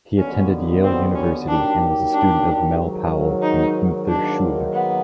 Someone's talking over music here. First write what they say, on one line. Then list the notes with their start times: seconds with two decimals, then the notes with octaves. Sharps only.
He attended Yale University and was a student of Mel Powell and Gunther Schuller.
0.18 D#2 D3 F#3 B3 C#4
0.83 C4
1.15 C#4
1.47 F#3 A#3 D4 D#4 G4
2.12 D4
2.78 G#2 D#3 F#3
3.42 D#4
4.07 G#2 D#3 F#3 A#3 D4
4.73 B3